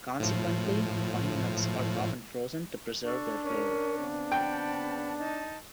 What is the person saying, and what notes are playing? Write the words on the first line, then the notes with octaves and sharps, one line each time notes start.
Consequently, pine nuts are often frozen to preserve their flavor.
A2 F3
D4 A4 C#6
C#4 A#4
C#3 B3 C4
F#5 G5 A5 B5
D#4 A5